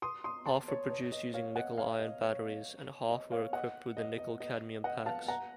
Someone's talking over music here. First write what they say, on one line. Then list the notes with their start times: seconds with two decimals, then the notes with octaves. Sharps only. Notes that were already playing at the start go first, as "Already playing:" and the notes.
Half were produced using nickel-iron batteries and half were equipped with the nickel-cadmium packs.
0.02 C6 D#6
0.24 C6 D#6
0.46 A5 C6
0.68 C#5
0.90 C#5
1.01 C#5
1.12 D#5
1.34 C#5 F5
1.55 D#5 F#5
1.78 C#5 F5
1.99 D#5
2.22 C#5
3.09 D#5
3.31 C#5 F5
3.53 D#5 F#5
3.97 D#5
4.18 D#5
4.40 D#5
4.84 D#5 F#5
5.06 F5 A5
5.28 F#5 A#5